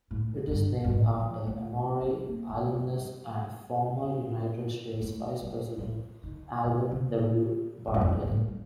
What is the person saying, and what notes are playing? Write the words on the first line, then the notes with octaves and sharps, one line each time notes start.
It is named after Emory alumnus and former United States Vice-President Alben W. Barkley.
A2
A2
G2
G2
A2
F3
A3
D4
C4
A#3
G3
A3
G3
A3
G3
G3
F3
D#3
A#2
C3
A#2
A2
G2
F2
G2
A#2
A2
G3